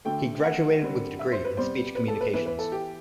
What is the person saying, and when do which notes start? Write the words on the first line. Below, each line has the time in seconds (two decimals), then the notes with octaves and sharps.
He graduated with a degree in speech communications.
0.05 D3 F#3 A3 G5
0.43 F#5
0.81 D3 G3 C4
1.19 E5
1.32 C5
1.45 B4
1.57 C3 G3 B3 C5
1.95 B4
2.08 A4
2.21 B4
2.33 E3 B3 B4
2.46 B4
2.59 A4
2.72 G4